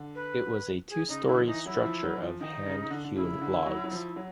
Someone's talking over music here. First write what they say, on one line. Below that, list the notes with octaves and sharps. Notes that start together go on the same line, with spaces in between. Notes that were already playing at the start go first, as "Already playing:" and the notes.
It was a two-story structure of hand-hewn logs.
Already playing: D3
B4
G#4
C#3 D#4
D3 E4
F3
E3 D#4
F#3 E4
E3
F3
F#3
E3
F3
D#3 D#4
C#3
D3
D3
C#3 E4
C#3
D3
F#3
F#3
F3
F#3